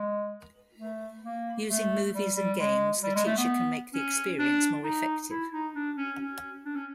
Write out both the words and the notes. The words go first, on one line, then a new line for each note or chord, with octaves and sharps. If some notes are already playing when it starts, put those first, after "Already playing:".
Using movies and games the teacher can make the experience more effective.
Already playing: G#3
A3
A#3
A3
G3
G3
G#3
G3
G#3
A3
B3
C#4
D4
D#4
E4
D#4
D4
C#4
C#4
D4
C#4